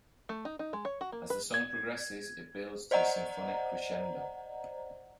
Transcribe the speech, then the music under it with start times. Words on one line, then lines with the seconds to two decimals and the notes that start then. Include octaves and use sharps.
As the song progresses, it builds to a symphonic crescendo.
0.29 A3
0.45 D#4
0.59 D#4
0.73 G#3
0.85 C#5
1.01 F#4
1.12 A#3
1.30 B4
1.54 G#6
2.91 C5 D5 D#5 F#5 A#5